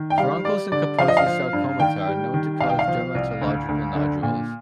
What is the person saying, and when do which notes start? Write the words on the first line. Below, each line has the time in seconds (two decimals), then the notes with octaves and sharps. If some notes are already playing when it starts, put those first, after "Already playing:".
Furuncles and Kaposi's sarcomata are known to cause dermatological nodules.
Already playing: D#3
0.10 G5
0.18 G3 F5
0.45 G3 D5
0.72 D3 D5
0.99 F3 F5
1.08 D#5
1.17 F5
1.26 F3
1.53 G2
1.79 D#3 G5
2.07 G3
2.34 D#3
2.60 C2 F5
2.69 G5
2.79 F5
2.88 F3
3.15 C2
3.42 D2
3.69 D2
3.95 D3
4.23 A#2